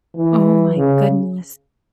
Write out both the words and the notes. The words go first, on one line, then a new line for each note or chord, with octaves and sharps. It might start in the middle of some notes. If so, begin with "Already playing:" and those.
Oh my goodness.
E3
C#3